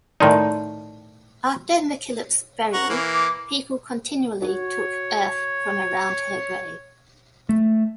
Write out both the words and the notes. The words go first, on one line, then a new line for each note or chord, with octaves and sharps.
After MacKillop's burial, people continually took earth from around her grave.
A2 D#3 D#4 D5 A5 C6
F#5 A#5 C#6
E3 A#3
D6
F#4 C#5
A3